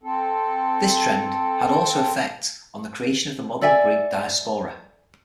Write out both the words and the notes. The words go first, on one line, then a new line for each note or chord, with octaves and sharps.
This trend had also effect on the creation of the modern Greek diaspora.
C4 A4
A4 D5 E5 G#5